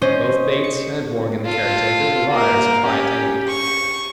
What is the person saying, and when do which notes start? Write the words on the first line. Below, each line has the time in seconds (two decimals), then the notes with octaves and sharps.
Both Bates and Morgan, the caretaker, were liars of high attainment.
0.01 C#4 C5 D#5
0.64 C#7
1.45 F4 A4
2.31 A#3 A#4
2.85 C#4 G4
3.47 C#6